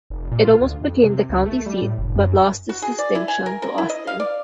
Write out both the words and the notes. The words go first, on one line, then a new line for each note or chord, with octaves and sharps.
It almost became the county seat but lost this distinction to Austin.
F1
A#2
F4
D2
F2
C3
C#2
A3
G3
A2
F1
F#2
F#4
G#4
D5
E4
G#5
A#4
A#4
E4
D#5
F5
D5